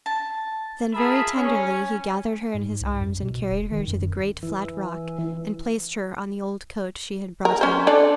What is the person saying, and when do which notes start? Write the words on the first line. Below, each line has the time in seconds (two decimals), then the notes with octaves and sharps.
Then very tenderly he gathered her in his arms and carried her to the great flat rock and placed her on the old coat she had brought him.
0.06 A5
0.94 F4 G#4 A#4 E5 A5 B5
1.36 C#4
2.54 G#2
2.80 C2
3.00 F#2
3.21 B2
3.51 E1
3.71 D#3
3.87 F#2
4.43 E3
7.45 A#4
7.61 C#4 C5
7.87 D4 A4 D5